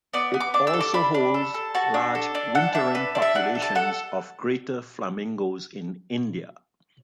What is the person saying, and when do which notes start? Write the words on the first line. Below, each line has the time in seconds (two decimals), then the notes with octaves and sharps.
It also holds large wintering populations of greater flamingos in India.
0.13 B3 D5
0.34 B3
0.40 D6
0.54 D4 D6
0.67 E6
0.73 A4
0.80 D6
0.94 D4 B5
1.14 D4
1.34 A4
1.54 A4
1.75 F#4 A5
1.94 D4
2.15 A4
2.35 D4
2.55 A4 F#5
2.75 D4 E5
2.95 A4 B4
3.15 D4
3.22 E5
3.35 D4 F#5
3.55 A4
3.62 A5
3.75 A4 F#5